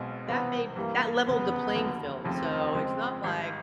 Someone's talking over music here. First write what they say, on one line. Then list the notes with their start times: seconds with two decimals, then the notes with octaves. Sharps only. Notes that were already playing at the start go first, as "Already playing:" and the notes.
that made that leveled the playing field, so, it's not like
Already playing: B1 B2 G#3 C4
0.27 C#2 C3 E3 G3 B3 C4
0.76 G2 E3 G3 A#3
1.26 F1 E2 C#3 B3
1.75 F1 D#2 D3 F#3 A#3
2.24 F1 D#2 C#3 F3 A3 C4
2.75 C#3 F3 G#3
3.24 G#1 G#2 D#3 G3